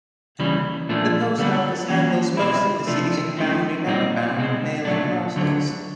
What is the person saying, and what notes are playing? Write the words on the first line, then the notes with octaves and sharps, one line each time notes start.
The post-office handles most of the city's inbound and outbound mail and parcels.
D#2 C#3 E3 G3
A#2 F3 A3 D4
D3 G3 B3 D4
E3 G3 A#3 C#4
B2 G#3 C4 E4
C3 F3 A3 D4
C#2 C#3 F3 A3 C4
A#2 G3 C4 D#4
B2 G#3 C4
A#2 F#3 A3 D4
D2 D3 F#3